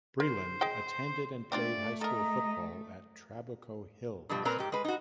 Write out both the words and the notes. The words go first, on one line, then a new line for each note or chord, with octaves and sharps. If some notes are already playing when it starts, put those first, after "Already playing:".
Breeland attended and played high school football at Trabuco Hills.
A#4 C5
G#4 D#5 G5
A3 C4 D4 F4 D5
A4 A#4 D#5 A#5
G2 B2 F3 G3
A#2 C4 A#4 B4 A#5
G#2 G4
G#3 B4
D#4 F#4